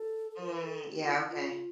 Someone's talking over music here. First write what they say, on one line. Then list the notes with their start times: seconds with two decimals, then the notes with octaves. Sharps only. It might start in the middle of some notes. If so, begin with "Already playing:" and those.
Mm, yeah, okay.
Already playing: A4
0.31 A4
0.40 A#4
0.65 A4
0.91 G4
1.03 F4
1.16 E4
1.29 F4